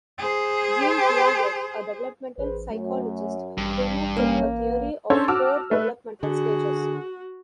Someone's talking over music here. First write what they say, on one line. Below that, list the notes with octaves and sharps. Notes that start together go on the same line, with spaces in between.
Jean Piaget, a developmental psychologist, came up with a theory of four developmental stages.
G#4 C5
A1 G#4 B4 C5
F#2 A3
A1 G2
A#3 C#4
B3
C#4 D4 A4 C5 C#5
F#4 A5 D6 E6 F6
A3 B4
D3 F#4 G#4